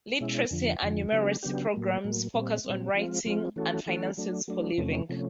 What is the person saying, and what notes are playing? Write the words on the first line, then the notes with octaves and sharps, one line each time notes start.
Literacy and Numeracy programs focus on writing and finances for living.
B2 G#3 C#4 E4
F2 D3 F3
F2 D3 F3
C#3 F#3 B3 D4 G4
C#3 F#3 B3 D4 G4
A2 F#3 A#3
A2 F#3 A#3
A#2 G3 C4
A#2 G3 C4
F3 G#3 C4 F4
F3 G#3 C4 F4
E3 A3 C#4 F#4 A4
E3 A3 C#4 F#4 A4
F#3 A3 D4
F#3 A3 D4
E2 C3 F3 A3 C#4
C3 F3 A3 C#4